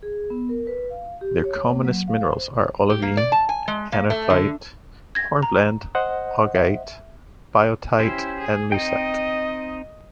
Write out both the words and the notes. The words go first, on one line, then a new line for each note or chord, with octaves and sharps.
Their commonest minerals are olivine, anorthite, hornblende, augite, biotite and leucite.
G#4
B3
A#4
B4
F5
G4
C#5
A#3
F#3
F5
C5
G4
A#3
D5
A5
G#5
G#3
A#3
A3
D3
G#6 A#6
A#5
C5 D#5 F#5
E5
C#4 E4 G4 C5
G#4
C4 D#4 D#5 G5